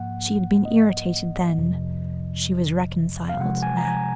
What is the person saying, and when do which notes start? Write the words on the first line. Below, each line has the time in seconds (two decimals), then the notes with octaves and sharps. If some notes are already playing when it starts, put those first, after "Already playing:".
She had been irritated then, she was reconciled now.
Already playing: G#2 F3 A#3 F#5
0.65 D#5
1.58 F2 C3 F3
3.29 F5
3.39 C3 F3 G#3 F#5
3.63 G#5
3.77 A#5
3.85 G#5